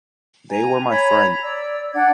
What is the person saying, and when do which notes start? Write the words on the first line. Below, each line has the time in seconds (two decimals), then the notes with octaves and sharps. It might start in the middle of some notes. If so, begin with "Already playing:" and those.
They were my friend.
0.50 G#5 A#5
0.90 C#5 A#5 B5 G#6
1.43 D5 E6
1.93 D4 D5 F#5 G#6